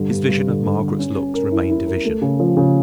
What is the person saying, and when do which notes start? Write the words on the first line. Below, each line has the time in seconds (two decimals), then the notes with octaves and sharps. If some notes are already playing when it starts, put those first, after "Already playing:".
His vision of Margaret's looks remained a vision.
Already playing: G2 D3
0.11 G2
0.28 G2
0.46 D3
0.64 D3
0.81 D3
0.98 C#4
1.17 C#4
1.34 A#4
1.52 E4
1.69 E4
1.87 A#4
2.05 A3
2.22 C#3
2.40 F3
2.57 C#3